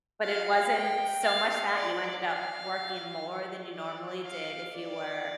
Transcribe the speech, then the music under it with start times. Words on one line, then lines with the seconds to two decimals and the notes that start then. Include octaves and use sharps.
but it wasn't so much that, you ended up working more than you normally did if you were
0.23 F5
0.74 G5
1.23 F5
1.74 D5
2.24 F5
3.74 D5
4.25 F5
4.75 D5